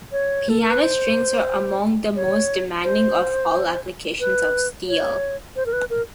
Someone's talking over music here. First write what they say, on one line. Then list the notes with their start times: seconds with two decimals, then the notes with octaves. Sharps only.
Piano strings are among the most demanding of all applications of steel.
0.12 C#5
0.49 A4
0.60 A#4
0.70 B4
0.80 C5
2.16 C#5
2.84 C5
4.20 B4
4.88 C#5
5.56 C5
5.66 A#4
5.73 B4
5.90 A#4